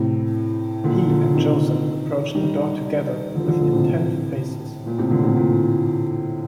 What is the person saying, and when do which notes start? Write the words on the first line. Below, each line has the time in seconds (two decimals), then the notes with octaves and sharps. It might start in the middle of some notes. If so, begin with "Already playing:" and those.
He and Joseph approached the door together, with intent faces.
Already playing: A2 C3
0.84 A#2 D3
1.09 A#2 D3
1.34 C3 D#3
2.35 D#3 G3
3.35 D3 F3
3.48 D3 F3
3.60 A#2 D3
3.73 A2 C3
4.86 A#2
4.98 A2 C3
5.11 A#2 D3
5.23 A2 C3
5.36 A#2